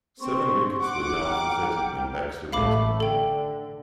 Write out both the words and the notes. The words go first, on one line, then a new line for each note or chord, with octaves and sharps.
Seven wickets were down for thirty when Baxter went in.
C4 C6 C#6
F#5 D6
G5 A#5 F6
A1 A3 F5 B5 D6
D3 A4 G5